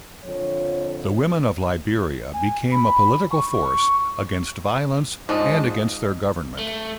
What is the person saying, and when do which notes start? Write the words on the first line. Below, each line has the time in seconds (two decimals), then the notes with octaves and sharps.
The women of Liberia became a political force against violence and against their government.
0.25 F2 D3 F3 C#5
2.34 G#5
2.72 B5
3.31 C#6
5.29 G#2 F3 G#3 D4 D#5
6.58 A3